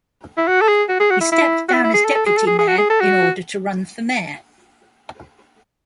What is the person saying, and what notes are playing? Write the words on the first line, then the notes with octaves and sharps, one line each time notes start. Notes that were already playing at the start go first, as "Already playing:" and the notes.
He stepped down as deputy mayor in order to run for mayor.
E4
F#4
A4
G#4
F#4
G#4
F#4
E4
E4
F#4
E4
E4
G#4
A4
A4
G#4
A4
G#4
G#4
F#4
G#4
A4
F#4